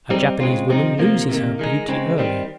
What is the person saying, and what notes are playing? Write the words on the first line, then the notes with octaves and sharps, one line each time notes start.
A Japanese woman loses her beauty early.
G3 C4 D#4
C#3 G#3 C4 F4
C3 F3 C4 D#4
C3 F3 A#3
C3 D#3 A#3
D#3 G#3 D#4
C#3 G#3 C4
D#3 G3 C4